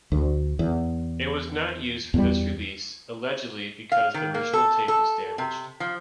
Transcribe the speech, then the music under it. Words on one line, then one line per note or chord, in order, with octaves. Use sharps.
It was not used for this release, allegedly because the original tape was damaged.
D2
E2
E2 G3
F5
D#3
A#3
A4
A4
C3
F3